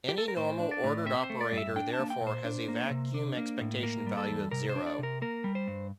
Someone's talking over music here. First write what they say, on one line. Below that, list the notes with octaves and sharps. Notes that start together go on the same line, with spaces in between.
Any normal ordered operator therefore has a vacuum expectation value of zero.
G4
A4
A#4
A2 C5
D4
D5
A2
C4 E5
C5
A3
D5
G2
E5
D4 G5
A5
A#3
G5
A#2
C5
D4
A#3
C3
D4
A#3
A2
A#3 A#4
G3
A4
E2
C3 A#4
C5
D4
D5
C3 A#4
A#3 A#4
G3
C5
G2